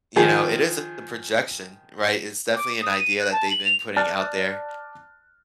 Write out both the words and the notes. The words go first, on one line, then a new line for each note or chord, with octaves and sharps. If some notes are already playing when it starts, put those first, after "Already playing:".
you know, it is a projection, right? It's definitely an idea that they've been putting out there.
D#3 F3 G#4
D6
D#6
D#7
F#6
A5
F#7
F7
D5 A5 F6 F#6 A6